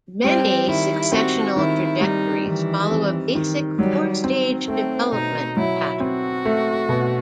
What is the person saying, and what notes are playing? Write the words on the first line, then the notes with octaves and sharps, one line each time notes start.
Many successional trajectories follow a basic four-stage development pattern.
G3 C4
D#3 E4
C4 F#4
D#3 E4
G3 D#4
D#3 E3
C4
D#3
F#3 G3
C4
A3 C4
B2 D#4
F#3 E4
C4 F#4
A3
B2